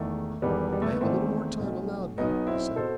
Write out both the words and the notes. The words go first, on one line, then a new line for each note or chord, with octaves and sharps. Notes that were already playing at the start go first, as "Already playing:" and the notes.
'But I have a little more time allowed me,' he said.
Already playing: E1 E2 D#3 A3
E1 E2 D#3 G3 B3
G3
A3
B3
E1 E2 D#3 A3 C4
B1 B2
B1 B2 B3 D#4
C4 E4
B2 A4 C5